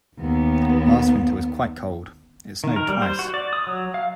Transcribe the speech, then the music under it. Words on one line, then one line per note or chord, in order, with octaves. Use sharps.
Last winter was quite cold, it snowed twice.
D#2 B3
D#3
A#4
G3
C5
F#4
D5
D#6
F#3
F5